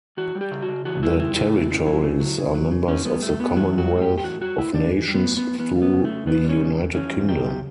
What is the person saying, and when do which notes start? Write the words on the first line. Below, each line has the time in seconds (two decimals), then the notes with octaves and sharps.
The territories are members of the Commonwealth of Nations through the United Kingdom.
0.17 E3 F#4
0.35 G3
0.41 G4
0.51 C#3
0.62 F#4
0.68 C#3
0.85 E3 F#4
1.02 G3 E4
1.19 C#3 E4
1.36 C#3 E4
1.54 F#3
1.70 C#3
1.87 F#3
2.04 C#3
2.20 F#3
2.38 C#3
2.54 F#3
2.71 C#3
2.88 E3 C#4
3.05 G3 B3
3.23 A2 A3
3.39 A2 B3
3.56 E3 F#4
3.73 G3
3.78 F#4
3.90 A2
4.02 G4
4.07 A2
4.18 G4
4.24 E3 F#4
4.41 G3 F#4
4.58 A2 E4
4.74 A2 D4
4.91 E3
5.08 G3
5.14 B3
5.25 A2
5.37 A2 B3
5.59 E3 B3
5.76 G3
5.82 B3
5.93 C#3
6.05 C#3 A3
6.26 E3 B3
6.44 G3 C#4
6.60 C#3
6.77 C#3
6.94 E3 C#4
7.11 G3
7.28 C#3 G4
7.45 C#3